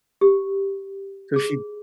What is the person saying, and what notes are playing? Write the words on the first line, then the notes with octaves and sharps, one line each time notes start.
So she
G4
G#4